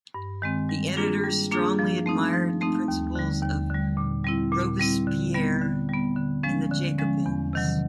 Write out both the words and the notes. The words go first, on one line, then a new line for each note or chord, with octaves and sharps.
The editors strongly admired the principles of Robespierre and the Jacobins.
G2
D#3 G#3 C4
G3
A#3 D4 F4 G#4
G3
A#3 D4 F4 G#4
F3
A3 C4 D#4
F3
A3 C4 D#4
D#2
D3 G3
D#2
D3 G3
A#2
G3 C4 E4
A#2
G3 C4 E4
D3
G3 B3
D3
G3 B3
D3
F3 G#3 C#4
D3
F3 G#3 C#4
E2
C3 D#3 F#3